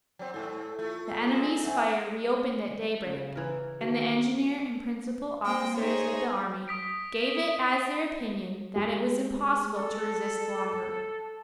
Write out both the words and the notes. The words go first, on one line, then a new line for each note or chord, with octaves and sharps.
The enemy's fire reopened at daybreak, and the engineer and principal officers of the army gave it as their opinion that it was impossible to resist longer.
F#3 C4
G#2 A3 E4
A3 F4
G#3 C4
G2 A3 E5 F#5 G#5
C#3
E3 A#4
D#3 A3 F#4
A#3 C4 G5
D#4 G#4 C5 C#5
D#6 B6 D7
G#3 G4
A4